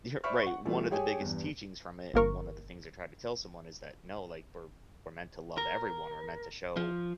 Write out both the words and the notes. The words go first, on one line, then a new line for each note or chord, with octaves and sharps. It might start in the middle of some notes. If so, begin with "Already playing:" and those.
You're right, one of the biggest teachings from it, and one of the things I tried to tell someone is that, "No, like, we're we're meant to love everyone, we're meant to show
C5 D5 E5 B5 C#6 F6
F#5 C#6
E3 G3 A3 F4
G4 G#4 C#5 G5 G#5
E2 G2
G1 A#3 A#4 C#6
A#4
F3